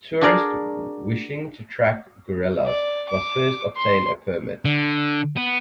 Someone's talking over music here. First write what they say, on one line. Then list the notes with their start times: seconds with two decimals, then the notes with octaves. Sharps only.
Tourists wishing to track gorillas must first obtain a permit.
0.21 D4 F#4 G#4 A#4 D5
2.66 D5
3.09 D6
3.76 C6
4.65 D3
5.37 B3